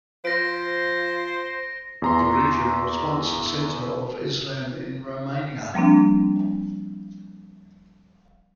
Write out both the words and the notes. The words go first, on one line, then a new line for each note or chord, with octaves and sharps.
The region once was a centre of Islam in Romania.
F3 C5 A#6 D7
E2 A#5 C6
F3 G3 A#3 C4 D4